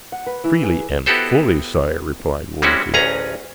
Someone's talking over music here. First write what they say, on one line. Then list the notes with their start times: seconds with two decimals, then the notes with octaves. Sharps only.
"Freely and fully, sire," replied Wolsey.
0.12 F#5
0.27 B4
0.44 E3
0.63 G#4
1.06 B3 E4 F#4 G4 A4 C5
2.62 G3 G#3 C4 C#4 E4 F#4
2.94 A1 D2 C#4 G#4 B4 A#5